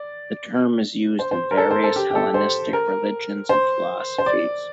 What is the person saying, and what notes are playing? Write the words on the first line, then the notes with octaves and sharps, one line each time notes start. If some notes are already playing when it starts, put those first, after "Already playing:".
The term is used in various Hellenistic religions and philosophies.
Already playing: D5
C5
C5
A#4
A4
C5
A4
G4
G4
A4
C5
A#4
C5
C5
D5